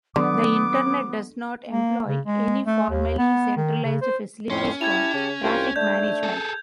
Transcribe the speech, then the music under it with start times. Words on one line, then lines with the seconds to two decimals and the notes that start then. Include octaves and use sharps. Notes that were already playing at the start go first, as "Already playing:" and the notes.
The Internet does not employ any formally centralized facilities for traffic management.
0.16 D3 D#3 F#3 B3 D6
1.69 A#3
2.07 C#3
2.26 G#3
2.66 A3
2.90 D#2
3.18 B3
3.57 D#3
3.84 C#3
4.02 C5
4.50 F2 A2 C#4 C6
4.81 E4 G4 A5 G#6 F7
5.14 C#3
5.42 C2 F4 G5
5.76 A3 D4 G6
6.23 G#4 A4